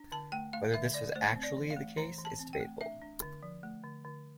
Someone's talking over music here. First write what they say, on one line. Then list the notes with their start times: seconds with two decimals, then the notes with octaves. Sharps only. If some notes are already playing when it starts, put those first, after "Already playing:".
Whether this was actually the case is debatable.
Already playing: D4
0.12 D3 A5
0.32 A3 G5
0.53 A3 F5
0.74 D3 E5
0.94 D3 D5
1.15 A3 C5
1.36 C4
1.43 D5
1.57 E3
1.70 F5
1.77 A3
1.97 E3 A#5
2.18 E3
2.25 A5
2.39 C4
2.53 G5
2.60 A3
2.81 D4 E5
3.02 D4
3.22 D3
3.43 F3
3.63 A3
3.83 D3
4.05 D3